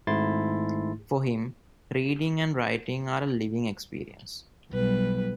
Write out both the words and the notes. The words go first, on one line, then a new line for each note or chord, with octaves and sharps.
For him, reading and writing are a living experience.
G#1 G#2 A3 E4 C6 A6
B1 G3 B4